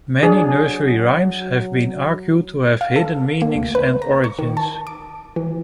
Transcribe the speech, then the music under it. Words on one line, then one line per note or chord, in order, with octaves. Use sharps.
Many nursery rhymes have been argued to have hidden meanings and origins.
F#3 D4 G#4
F5
A4
A#3
D2
B4
A#5
C#6
D#3
A5
D6
E3